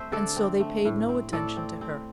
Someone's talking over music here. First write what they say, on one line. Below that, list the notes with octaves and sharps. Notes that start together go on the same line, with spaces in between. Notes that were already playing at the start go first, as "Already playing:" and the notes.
And so they paid no attention to her.
Already playing: A3 C4 C5 E5
D3 A4 D5
C4
A3
A2
C4
A2 A4 D5
C4
C4